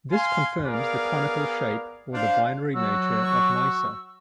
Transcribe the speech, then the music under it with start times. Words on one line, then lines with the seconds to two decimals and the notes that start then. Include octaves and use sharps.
This confirms the conical shape or the binary nature of Nysa.
0.12 F5 G#5 C6
0.66 B3 G#4 A#4 D5 F5 G#5
2.13 D4 C5 F5
2.74 F#3 F#4 E6
3.23 C#6